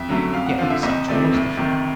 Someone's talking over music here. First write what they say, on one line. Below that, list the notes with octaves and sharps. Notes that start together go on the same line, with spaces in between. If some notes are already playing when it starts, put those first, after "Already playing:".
Yet such was the fact.
Already playing: F2 E5
D3 F#3 A3 C#4
F2 F5
F#5
D3 F3 F5
E5
C2 D#5
C3 F3 A3 C4 D5
D2
C3 D#3